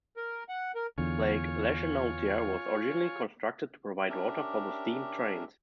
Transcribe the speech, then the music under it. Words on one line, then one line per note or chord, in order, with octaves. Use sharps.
Lake Leschenaultia was originally constructed to provide water for the steam trains.
A#4
F#5
A#4
E2 D3 F4 C#5 G#5
C#4 D4 G4 A#4 E5